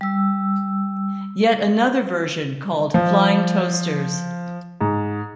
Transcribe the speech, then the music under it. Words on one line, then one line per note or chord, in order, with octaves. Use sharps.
Yet another version called Flying Toasters!
G3 E6
F3
G#2